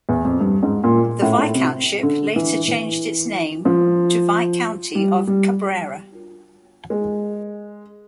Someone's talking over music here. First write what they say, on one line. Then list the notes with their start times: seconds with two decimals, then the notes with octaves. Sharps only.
The viscountship later changed its name to viscounty of Cabrera.
0.09 E2
0.25 F2
0.41 G2
0.63 G#2
0.84 A#2
1.22 A2
1.38 A2
1.54 C3
2.03 D3
2.36 E3
2.68 E3
3.65 F3
4.95 G3
5.27 G3
6.90 G#3